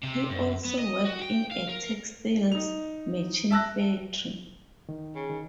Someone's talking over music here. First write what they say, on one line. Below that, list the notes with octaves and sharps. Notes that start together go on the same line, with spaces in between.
He also worked in a textiles machine factory.
C3
F#2
B3
D#5
F#4
G5
F5
A#4
D#4 F7
E5 A5 E6 F#6 A#6
D#3
C#3
D#3